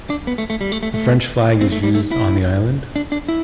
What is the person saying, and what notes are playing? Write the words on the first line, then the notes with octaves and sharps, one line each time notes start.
The French flag is used on the island.
D4
B3
A3
A3
G3
A3
A3
A3
C4
A3
G3
A3
E4
D4
D4
E4